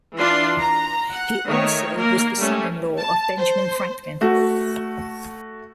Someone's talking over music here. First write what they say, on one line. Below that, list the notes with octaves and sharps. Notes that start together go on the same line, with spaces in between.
He also was the son-in-law of Benjamin Franklin.
E3 D4 F4 C6
A#5
F#5
D#3 A3 C#5
A#3 A#4
G3 A3 C#4
A5
C5
A3 F#4